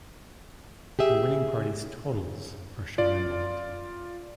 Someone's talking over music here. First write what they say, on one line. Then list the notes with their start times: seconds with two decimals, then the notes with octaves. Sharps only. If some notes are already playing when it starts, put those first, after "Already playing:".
The winning party's total's are shown in bold.
0.99 G4 G#4 E5
2.98 F4 D5